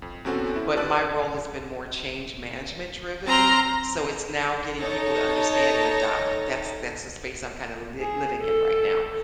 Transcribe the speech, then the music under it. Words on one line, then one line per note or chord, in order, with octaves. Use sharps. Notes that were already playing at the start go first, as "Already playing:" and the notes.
but my role has been more change-management driven, so it's now getting people to understand and adopt, that's that's the space I'm kind of li living in right now.
F2
E2 B2 C4 C#4 F#4 A4
E4
G4 B4 D5 A5 E6 F#6
C4 A#5 C6 F6
D#4 A4 C#5 A#6
G#4
A4